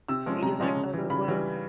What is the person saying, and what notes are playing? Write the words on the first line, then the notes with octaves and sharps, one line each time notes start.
You like those as well?
C3 E6
F3 G#3 C#4
C3 A#5
F3 G#3 C#4
C#3
E3 G3
C#3 B5
E3 G3